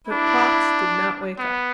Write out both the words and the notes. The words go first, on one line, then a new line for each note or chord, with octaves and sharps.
But Quox did not wake up.
D4 E4
B3